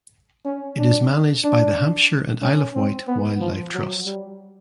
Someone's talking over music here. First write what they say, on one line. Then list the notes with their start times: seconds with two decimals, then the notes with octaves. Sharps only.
It is managed by the Hampshire and Isle of Wight Wildlife Trust.
0.45 C#4
0.78 D4
1.44 D4
2.42 C#4
2.75 C4
3.08 B3
3.40 F3
3.74 F#3
4.06 G3